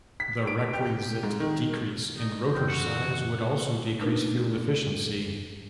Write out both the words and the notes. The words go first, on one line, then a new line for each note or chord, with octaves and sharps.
The requisite decrease in rotor size would also decrease fuel efficiency.
B6
D7
G4
G#2
D#3
D#4
F#2 C#3 E3 G5
F#4 F#5
A3 D4 D#4 A#4 B4